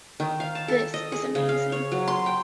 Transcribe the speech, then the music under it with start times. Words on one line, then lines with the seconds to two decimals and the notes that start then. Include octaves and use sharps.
This is amazing.
0.20 D#3
0.40 F5
0.55 A5
0.68 A4
0.94 D#5
1.12 G#4
1.35 C#3
1.49 F5
1.72 C#5
1.92 F#3
2.08 C6
2.26 G5